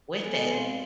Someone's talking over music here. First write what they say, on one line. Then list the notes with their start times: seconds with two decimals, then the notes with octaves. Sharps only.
with it.
0.24 B3 A4 A#4 G#5
0.52 G#3 C4 F5